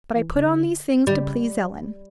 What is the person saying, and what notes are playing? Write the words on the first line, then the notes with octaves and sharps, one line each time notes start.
But I put on these things to please Ellen.
E3
C#3
D3
D3 G3
C#3